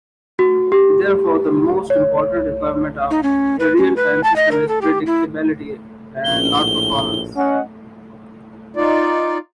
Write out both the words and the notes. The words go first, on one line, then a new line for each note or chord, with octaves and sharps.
Therefore, the most important requirement of a real-time system is predictability and not performance.
F#4
G4
C#5
D#4
C#4
B4
C#4
B4
A5
D#5
A#4
A4
G4
E4
A#1 A2 G7
C#4 D#5 F#5
D#4 F4 D5